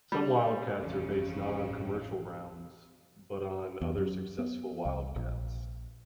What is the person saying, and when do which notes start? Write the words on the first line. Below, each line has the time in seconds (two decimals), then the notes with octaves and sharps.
Some wildcats are based not on commercial rounds, but on other successful wildcats.
0.12 G3
0.78 A1 F2 C#3
3.81 E2
3.98 F#2
4.39 B3
4.85 C2
5.16 A#1